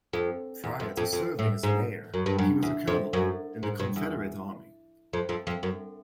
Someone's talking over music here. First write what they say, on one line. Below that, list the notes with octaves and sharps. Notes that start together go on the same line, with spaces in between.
Prior to serving as mayor, he was a colonel in the Confederate Army.
F2
E2
F2
F2
F2
A2
G#2
F#2
G2
F#2
E2
F2
F#2
G#2
G2
E2
F2
F2
F2
F#2